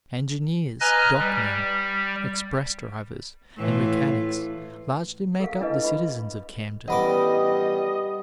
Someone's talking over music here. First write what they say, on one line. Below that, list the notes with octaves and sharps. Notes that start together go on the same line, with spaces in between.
Engineers, dockmen, express-drivers and mechanics largely make up the citizens of Camden.
B4 D#5 G#5 A#5 F6 F#6
G3
A2 E3 F4
A4 A#4 F5
D4 E4 A4 B4 D#5
B5
A1 G3 B3 D#5 F#5 B5 D6